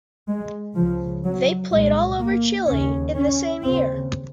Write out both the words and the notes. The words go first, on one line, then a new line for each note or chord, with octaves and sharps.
They played all over Chile in the same year.
G#3
C#2 C#3 F3
F#3
C2 A#2 G#3
A#3
D#2 C#3 C#4
C#4
D#2 C#3 C4